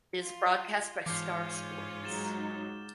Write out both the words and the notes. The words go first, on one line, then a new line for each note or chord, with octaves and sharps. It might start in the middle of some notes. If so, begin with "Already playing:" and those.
It is broadcast by Star Sports.
F4 C6
G#2 E3 C#4 F4 D6 F6 G6 C7
F#3 G#3 D#4 A6 E7 G7